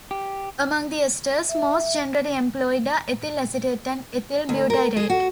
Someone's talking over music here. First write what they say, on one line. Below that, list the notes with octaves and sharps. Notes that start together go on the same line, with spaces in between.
Among the esters most generally employed are ethyl acetate and ethyl butyrate.
G4
E5
D2
A#4
G#4
F#4